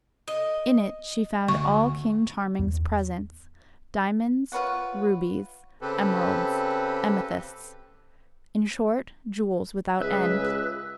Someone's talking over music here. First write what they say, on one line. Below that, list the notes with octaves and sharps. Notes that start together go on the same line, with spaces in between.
In it she found all King Charming's presents--diamonds, rubies, emeralds, amethysts--in short, jewels without end.
D#5
D2 C#6
E2
F4 B4 C#5 F#5
C#3 C4 G4 A4 B4
C#2 G#4 B4 E5